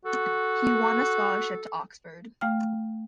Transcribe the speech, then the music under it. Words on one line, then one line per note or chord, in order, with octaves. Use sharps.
He won a scholarship to Oxford.
F#4 A4
A3 F5 G5 F6